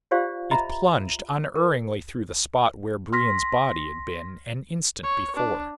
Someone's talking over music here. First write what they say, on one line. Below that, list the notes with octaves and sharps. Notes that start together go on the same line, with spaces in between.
It plunged unerringly through the spot where Brion's body had been an instant before.
F4 G4 C5 D5 F5
D#5 E5 A#5 B5
A#4
C6 F6 A#6 B6
C#5
D4